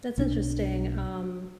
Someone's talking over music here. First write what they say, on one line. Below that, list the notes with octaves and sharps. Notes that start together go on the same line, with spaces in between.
That's interesting, um,
B1 C4 D4